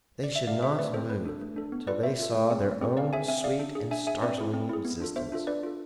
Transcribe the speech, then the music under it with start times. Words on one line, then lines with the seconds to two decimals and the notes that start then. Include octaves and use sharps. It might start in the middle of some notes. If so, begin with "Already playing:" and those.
They should not move till they saw their own sweet and startling existence.
0.24 D5
0.36 E5
0.47 A3 D5 F5
0.62 C4 G#4 C5 E5
0.79 A3 B4 D5
0.94 C4 G#4 A4 C5
1.10 A3 B4
1.25 D4 A4
1.41 A3
1.56 D4 A4
1.72 B3
1.87 F4 A4 B4 D5
2.03 B3 C5 E5
2.19 F4 A4
2.35 A3
2.50 C4 G#4
2.66 A3
2.81 C4 G#4
2.97 C4 D5 F5
3.13 G#4 E5 G#5
3.28 C4 E5 G#5
3.44 G#4 D5 F5
3.59 D4
3.75 G#4
3.91 D4 E5 G#5
4.07 G#4 E5 G#5
4.22 C4 B4 D5
4.38 E4 G#4
4.53 C4
4.69 E4 G#4
4.85 B3
5.00 D4 F4 A4
5.16 B3 C5 E5
5.32 D4 F4 A4
5.47 D4 B4 D5
5.63 F4 A4